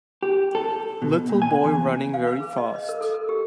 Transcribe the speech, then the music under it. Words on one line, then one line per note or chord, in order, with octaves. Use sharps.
Little boy running very fast.
G4
A4
B2
A#2
G#5
E2
F5
B4
G#4
D#5
D#5
A#4
A4
A#4
G4